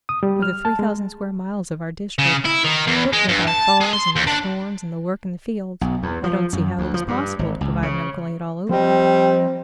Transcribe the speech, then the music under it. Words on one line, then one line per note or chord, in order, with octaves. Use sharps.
For the three thousand square miles of our district, what with our thaws, and the storms, and the work in the fields, I don't see how it is possible to provide medical aid all over.
D#6
G3
F6
A5
G#3
C#3
E4
D#3
E2
G#3
G2
A5
G#3
C6
D#2
D4
B1
E2
F3
F#2
D2
F3
G2
G#1
C#2
C#3
F3 G3 C4 D#5